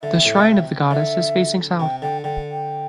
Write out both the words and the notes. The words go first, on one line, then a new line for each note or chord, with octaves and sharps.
The shrine of the goddess is facing south.
D3 E5
C3
A2
C3
D3 E5
C3 G5
D3 G5
D3 G5
G5